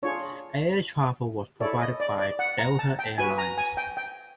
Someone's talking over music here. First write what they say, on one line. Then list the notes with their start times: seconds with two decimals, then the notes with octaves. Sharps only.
Air travel was provided by Delta Air Lines.
0.03 D4 F4 G#4 C#5
1.60 E4 A4 C#5 D5
1.80 D#5
2.00 D5
2.20 D5
2.39 F#5
2.59 A#5
2.79 A5
2.99 G5
3.18 F#4 B4 G#5
3.38 A#5
3.58 G#5
3.77 G5
3.97 G5